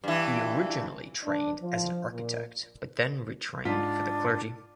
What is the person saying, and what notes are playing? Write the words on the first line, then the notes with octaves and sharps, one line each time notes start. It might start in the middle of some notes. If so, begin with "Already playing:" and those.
He originally trained as an architect but then retrained for the clergy.
G2 E3
D4
F3
A#2
G#2 D4 F4 B6